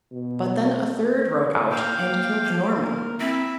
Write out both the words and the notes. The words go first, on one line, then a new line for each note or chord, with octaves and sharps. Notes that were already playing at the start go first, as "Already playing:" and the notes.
But then a third rode out, and killed the Norman.
B2
A#3 F5 G5 D6
A#3
A#4
C4 E4 E5